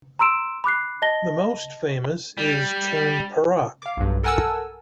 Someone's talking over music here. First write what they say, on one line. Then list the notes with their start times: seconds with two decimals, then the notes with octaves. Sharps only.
The most famous is Tun Perak.
0.19 A#5 C6 E6 D7 E7
0.64 B5 D6 F#6 C7
1.02 D#5 A5 A#6 G7
2.38 G3
3.82 F5 D6
3.97 B1 G2
4.23 A4 A#4 F#5 G#5 A5 E6